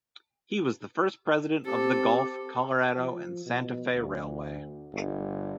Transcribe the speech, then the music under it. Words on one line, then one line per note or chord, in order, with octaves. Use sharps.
He was the first president of the Gulf, Colorado and Santa Fe Railway.
C4 G4 A4
F3
B2
D2
G1